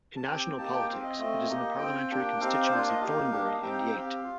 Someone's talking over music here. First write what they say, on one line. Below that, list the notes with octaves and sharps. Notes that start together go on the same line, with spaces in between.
In national politics it is in the parliamentary constituency Thornbury and Yate.
A5
C4 G4 G5
A#3 D#4 G4 A5
G5
C4 F4 F5
D#5
A3 C4 F4
A#3 D#4 G4
C4 F4 G5
A#3 D4 G4
C4 D#4 G4 F5
C5
A#3 D4 F4 D5
D#5
A#3 D#4 G4 F5
A#3 D4 G4
D#5
F5
C4 D#4 G4 G5
F5
G5
C4 G4 F5
F4